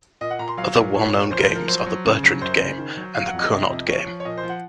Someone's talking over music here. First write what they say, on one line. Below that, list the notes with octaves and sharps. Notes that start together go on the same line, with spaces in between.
Other well-known games are the Bertrand game and the Cournot game.
A#2 D#5
F#5
A#2 A#5
C6
F#3 F5
A#2
A#2 C#5
A#2
F3 C5
A#4
C5
F3
A#4
F#3 C5
F#3
C#3
F#3
F#2 C5
C#3
D#3
F#3
F#3 F5
F#5
F2
D#5
C3
F2
F3 C#5
F3
C#5
A#2 D#5
C5
F3
F#5